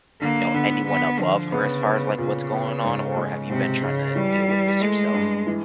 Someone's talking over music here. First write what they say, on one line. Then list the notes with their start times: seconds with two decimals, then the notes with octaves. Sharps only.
y'know, anyone above her as far as, like, what's going on, or have you been trying to deal with this yourself?
0.21 D3 A#3
0.54 D3 B3
0.87 D3 B3
1.20 D3 F3
1.52 C#3 B3
1.85 B3
2.18 A#2 C#3
2.51 B3
2.84 G#2
3.17 G#3
3.49 G#2 C3
3.82 G#2 C#3
4.15 E3 G3
4.48 E3
4.81 G#3 A3
5.14 G2
5.47 E3